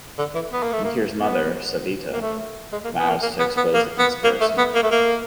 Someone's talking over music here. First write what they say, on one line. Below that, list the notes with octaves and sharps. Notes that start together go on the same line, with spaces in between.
Mihir's mother, Savita, vows to expose the conspiracy.
D3
E3
B3
A#3
A3
A#3
B3
A#3
A3
G#3
A#3
B3
A#3
A#3
B3
B3
A#3
B3
A#3
A3
B3
A#3
A3
A#3